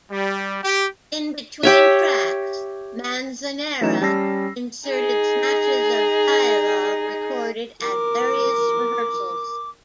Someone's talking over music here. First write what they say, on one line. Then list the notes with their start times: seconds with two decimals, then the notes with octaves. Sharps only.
In between tracks, Manzanera inserted snatches of dialogue recorded at various rehearsals.
0.11 G3
0.64 G4
1.63 G4 C#5 E5
3.81 E3 F#3 A3 C#4 D#4 E7
4.01 G3 C#4 A5 E6 A#6 C7
4.88 D#4 G#4
7.82 A#4 D6